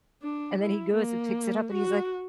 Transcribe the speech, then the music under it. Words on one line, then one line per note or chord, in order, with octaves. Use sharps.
and then he goes and picks it up and he's, like,
D4
E4
A#3
F#4